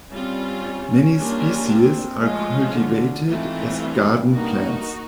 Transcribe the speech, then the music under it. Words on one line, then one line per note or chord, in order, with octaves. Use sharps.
Many species are cultivated as garden plants.
G3 C4 C#4 F4
G3 A#3 D4 F4 G#4
C4
F3 G#3 A3 C#4 F4
D3
G#2 E3 A3 C4 F4
G2
A#3 D#4 F#4